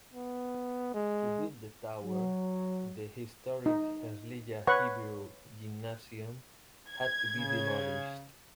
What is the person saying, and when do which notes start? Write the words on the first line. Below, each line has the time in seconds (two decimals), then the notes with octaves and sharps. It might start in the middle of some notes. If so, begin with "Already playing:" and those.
To build the tower, the historic Herzliya Hebrew Gymnasium had to be demolished.
0.14 B3
0.94 G#3
2.03 F#3
3.66 D#4
4.67 B4 C#5 F#5 C#6
6.88 G#6
7.36 C#3